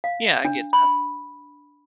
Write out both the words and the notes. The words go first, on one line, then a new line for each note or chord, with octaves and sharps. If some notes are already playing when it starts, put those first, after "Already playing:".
Yeah, I get that.
F5
D4
B5